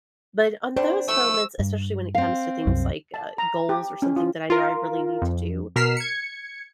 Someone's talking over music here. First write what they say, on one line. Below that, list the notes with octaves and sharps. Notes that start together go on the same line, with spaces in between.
but on those moments, especially when it comes to things like, uh, goals or something that I know I really need to do,
D3 G3 D4 C5
A3 E6
G2
C4 F5
C2 F#2
A5
A#5
G4
C#4
F4
F4 A#4
F2
B2 A#4 F6 B6 C7 E7
G#6 C#7